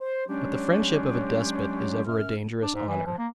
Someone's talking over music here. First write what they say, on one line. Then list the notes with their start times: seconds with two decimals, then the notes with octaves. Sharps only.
But the friendship of a despot is ever a dangerous honour.
0.01 C5
0.27 F#3 G#3 C#4 D4 G4
2.07 F#2 F6
2.63 D4
2.74 G#2
2.89 E3
3.06 F3
3.18 A#3